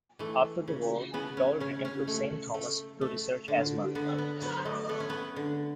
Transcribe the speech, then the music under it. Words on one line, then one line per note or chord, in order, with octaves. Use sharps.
After the war, Doll returned to Saint Thomas' to research asthma.
E3 A3
C#3
C#3 B3
C#4
C#3 C#4
C#4
A3
A3
A3
D3
D3 B3
B3
F#3 B3
A3
A3 B3
C#4
B3
D3